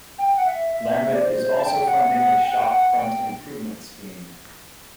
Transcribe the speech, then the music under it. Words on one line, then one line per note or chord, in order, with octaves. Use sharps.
Lambeth is also funding a shop front improvement scheme.
G5
F#5
E5
E5
D5
C5
C5
A5
G5
F#5
F#5
G5
F#5
G5
F#5
G5